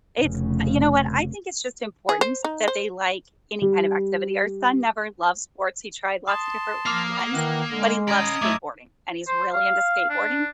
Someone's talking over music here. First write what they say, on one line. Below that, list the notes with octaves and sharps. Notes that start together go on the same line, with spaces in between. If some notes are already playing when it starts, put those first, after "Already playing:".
It's you know what? I think it's just important that they like any kind of activity. Our son never loves sports, he tried lots of different ones, but he loves skateboarding, and he's really into skateboarding.
F1 C#3
G#4
C5
D#4
C5
G3
A5 C6 D#6
F3 A#3 D6 F6 C7
D#3 E3 F#5
D3 G#3
C#4 D#5 A#5 B5 D#6 G#6 D7
F#2 A3 E4 D6 E6
C5
F5
D4